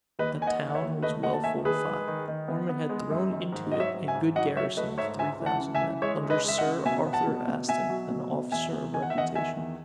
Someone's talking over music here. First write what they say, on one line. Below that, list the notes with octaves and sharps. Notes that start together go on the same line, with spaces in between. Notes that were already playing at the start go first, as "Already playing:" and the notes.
That town was well fortified: Ormond had thrown into it a good garrison of three thousand men, under Sir Arthur Aston, an officer of reputation.
D#2 B4 D#5
D#3 G#5
D#5 F#5
D#3
F#5
C#5 E5
D#2
A3 B4 D#5
D#2 D#5 F#5
A5
D#3 E5 G#5
D#3 G#4 B4
G#3
D#3
D#3
B3
B3
G#3
F#2
D#3
G#2
F#3 D#5
C#5 E5
G#2
E5 G#5
G#2
F#3 D#5 F#5
F#3 C#5 E5
A3 B4 D#5
G#2 C#5 E5
C#2 E5 G#5
E3
F#5 A5
C#3
E5 G#5
E3
G#3 C#5 E5
C#2
B4 D#5
G#3 E5
D#5 F#5
C#3
B2 E5 G#5
B3
F#5 A5
B2
B2
B2 E5 G#5
F#3
B2
B2
E2 E5 G#5
E2
D#3 G#5
F#5
E5
E2 D#5 F#5
D#3 E5 G#5
E2